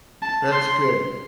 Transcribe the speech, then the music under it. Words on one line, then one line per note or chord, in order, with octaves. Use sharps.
That's good.
A5
C6